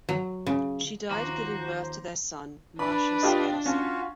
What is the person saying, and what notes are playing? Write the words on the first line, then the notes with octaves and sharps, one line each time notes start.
She died giving birth to their son Martius Ellison.
F#3
C#3
D#2 F3 F#4 C5 A#5 D6
D4 B4 D5 B5
F4 G4 D#5
C#4 F4 F#4